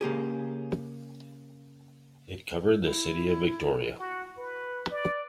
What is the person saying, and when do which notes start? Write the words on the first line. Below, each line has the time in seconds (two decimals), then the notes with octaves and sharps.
It covered the City of Victoria.
0.01 C#3 A#3 G4 G#4
2.83 E4
3.99 F#4
4.38 B4
4.91 D5